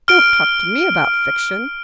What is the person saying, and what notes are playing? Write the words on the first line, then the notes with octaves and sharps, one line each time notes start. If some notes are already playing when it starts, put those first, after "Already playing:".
Don't talk to me about fiction!
F6 D7